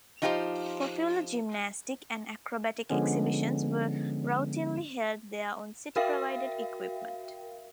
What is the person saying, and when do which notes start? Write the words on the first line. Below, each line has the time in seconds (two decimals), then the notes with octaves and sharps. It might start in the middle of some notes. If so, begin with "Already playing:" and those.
Popular gymnastic and acrobatic exhibitions were routinely held there on city-provided equipment.
0.22 F3 D#4 F4 G4 A#4 C5
2.90 D3 F3 G#3 B3 C#4
5.96 F#4 A#4 E5 F5 G5